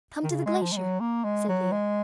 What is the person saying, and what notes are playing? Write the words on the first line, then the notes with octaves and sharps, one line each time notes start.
"Come to the glacier," said Leo.
D#3
C#3
G#3
F3
G#3
F#3
A#3
G#3
F#3
G#3